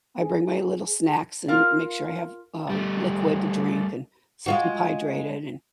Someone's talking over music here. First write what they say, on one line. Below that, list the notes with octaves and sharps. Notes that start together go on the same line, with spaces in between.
I bring my little snacks and make sure I have, um, liquid to drink and so keep hydrated, and,
G#4
F4 A#4 F5
G3 A3
G#3 F4 F#4